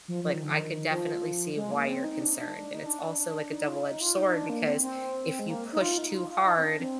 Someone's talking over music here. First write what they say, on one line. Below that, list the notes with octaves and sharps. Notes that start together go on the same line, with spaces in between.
like, I could definitely see why you're concerned, and it's also like a double edged sword because if you push too hard,
F3
F3
D#3
D3
D#3
F3
G#3
A#3
C4
D#4
D4
D#4
D4
D#4
D4
D4
D#4
F4
D#4
F4
D#4
D4
A#3
C4
C4
G#3
A#3
D#4
F4
D#4
F4
F4
D#4
C4
D4
C4